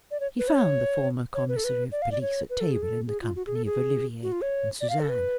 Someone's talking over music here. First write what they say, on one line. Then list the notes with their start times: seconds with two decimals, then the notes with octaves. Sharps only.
He found the former commissary of police at table, in the company of Olivier and Suzanne.
0.11 D5
0.20 C#5
0.39 B4
0.48 C#5
1.34 C#5
1.49 B4
1.56 A4
1.64 B4
1.92 D5
2.02 F5
2.12 D5
2.21 C#5
2.50 B4
2.60 A4
2.72 G#4
2.83 A4
3.08 G#4
3.22 F4
3.36 F#4
3.47 G#4
3.55 A4
3.66 G#4
4.23 F#4
4.32 F4
4.42 C#5
4.81 D5
4.90 F5
5.00 A4
5.09 B4